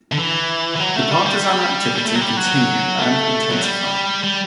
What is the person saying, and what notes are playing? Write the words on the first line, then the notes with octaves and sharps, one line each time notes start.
The partisan activity continued and intensified.
D3
E3
E3
F#3
A3
G3
G3
G3
A3
F#3
G3
F#3
A3
F#3
G3
G3